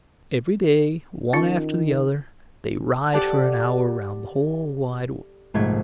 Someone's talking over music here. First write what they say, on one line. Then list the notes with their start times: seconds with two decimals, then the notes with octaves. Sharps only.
Every day, one after the other, they ride for an hour round the whole wide world.
1.33 D#3 C#4 F4
3.14 G4 A4 D5 F#5 A5
5.54 A#1 G#2 C3 A3 C#5 G#6